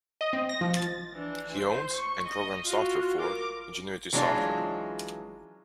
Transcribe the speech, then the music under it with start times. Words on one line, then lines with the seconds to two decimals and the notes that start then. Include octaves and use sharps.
He owns, and programs software for, Ingenuity Software.
0.21 D#5
0.33 C4
0.49 A#6
0.61 F3
0.77 A6
1.14 E3 D4
1.56 C5
1.94 C#6
2.27 D#5
2.66 F4 F#4
3.18 A#4 D6
4.13 E3 F#3 G#3 C#4 D4 F4